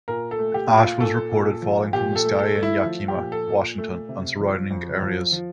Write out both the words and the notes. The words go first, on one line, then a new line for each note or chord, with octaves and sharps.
Ash was reported falling from the sky in Yakima, Washington, and surrounding areas.
A#2 A#4
A4
A3
G4
A#2
F4
A#2 A4
A#2
F3
A#2 G4
A4
A3
A4
A3
E4
F3
G4
A#2
A4
A#2
A3
C3
F3
F2
F3
F3